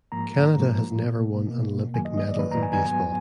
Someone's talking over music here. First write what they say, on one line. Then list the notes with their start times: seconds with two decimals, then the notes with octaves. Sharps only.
Canada has never won an Olympic medal in baseball.
0.12 G#2 F3 A#3 A#5
0.58 G#2 F3 A#3
1.03 B2 A#3
1.48 B2 A#3
1.94 F#2 D#3 F#3 A#3 G#5
2.05 D#5
2.17 D#5
2.28 D5
2.39 F#2 D#3 F#3 A#3 B4
2.51 A#5
2.63 G#5
2.73 G#5
2.85 G#2 F#3 B3 G#5